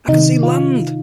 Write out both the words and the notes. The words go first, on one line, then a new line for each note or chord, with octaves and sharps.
I can see land!
C3 D#3 D#4
F4